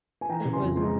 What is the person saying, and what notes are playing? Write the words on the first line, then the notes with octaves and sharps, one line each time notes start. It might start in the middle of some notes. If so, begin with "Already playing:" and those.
it was
G#5
E3 G5 A#5
C#3
G#5 C6
F2
G#3 C6
A#5